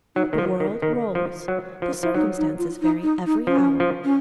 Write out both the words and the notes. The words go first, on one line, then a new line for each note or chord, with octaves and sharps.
The world rolls; the circumstances vary every hour.
F#3 D#4
D#3
F3 F4
D#3
D#3
F3
F#3
F3
F3
F#3 D#4
D#4
F4
D#4
D#4
D#4
F3 C#4
F3
C#4